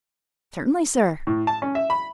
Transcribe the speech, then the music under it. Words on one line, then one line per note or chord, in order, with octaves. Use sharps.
"Certainly, sir."
A2
A5
C#4
E5
B5